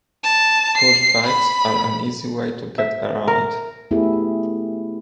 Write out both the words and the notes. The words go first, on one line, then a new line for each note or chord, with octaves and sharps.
Push bikes are an easy way to get around.
A5
C7
B5
E5
A#4
A3 B3 E4 G4 G#4